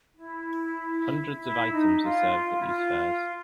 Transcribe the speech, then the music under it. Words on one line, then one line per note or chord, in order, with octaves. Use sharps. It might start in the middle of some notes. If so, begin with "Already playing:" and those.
Hundreds of items are served at these fairs.
E4
E4
D#4
F4
E4
F4